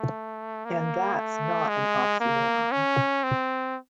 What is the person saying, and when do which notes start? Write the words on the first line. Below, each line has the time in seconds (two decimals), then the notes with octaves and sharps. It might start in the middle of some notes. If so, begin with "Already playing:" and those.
And that's not an oxymoron.
Already playing: A3
0.65 A#3
1.16 A3
1.68 G#3
2.20 A#3
2.72 C#4
3.23 C4